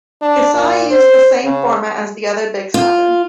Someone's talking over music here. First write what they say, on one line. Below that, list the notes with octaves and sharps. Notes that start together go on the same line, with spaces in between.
Gosei uses the same format as the other big seven.
D4
A#2
C5
C#3
F4